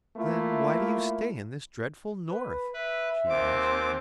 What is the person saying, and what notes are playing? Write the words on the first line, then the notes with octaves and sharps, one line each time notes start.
"Then why do you stay in this dreadful North?" she asked.
A3 A#3 E4 F4
B4
B4 E5
D#2 C4 D6